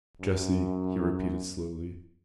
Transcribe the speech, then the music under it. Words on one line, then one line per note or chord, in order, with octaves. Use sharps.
"JESSIE," he repeated slowly.
F#2